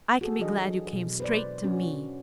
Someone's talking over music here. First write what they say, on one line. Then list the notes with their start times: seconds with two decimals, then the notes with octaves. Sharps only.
I can be glad you came straight to me.
0.21 F#4 G#4 A4
0.39 E3 F#3 D4 F#4 G#4 D#5
0.93 B2 F#3
1.20 B4 C5 D5
1.64 C#4 D4 F#4